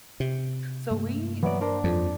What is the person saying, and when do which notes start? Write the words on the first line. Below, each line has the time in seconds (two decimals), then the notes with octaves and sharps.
So, we
0.20 C3
0.91 G2 A3 A#3
1.43 E3 F#3 B3 D5
1.61 D4 A#4 C5
1.84 F2 F3